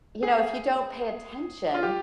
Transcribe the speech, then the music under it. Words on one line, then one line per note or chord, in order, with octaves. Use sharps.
you know, if you don't pay attention,
G#4
F4
G4